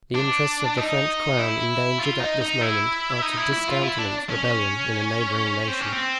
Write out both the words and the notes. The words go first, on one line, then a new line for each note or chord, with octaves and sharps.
The interests of the French crown, endangered at this moment, are to discountenance rebellion in a neighboring nation.
D4
D#4
E4
F4
D#4
D#4
E4
D#4
E4
E4
F4
E4
D4
C#4
C#4
C4
C#4
C4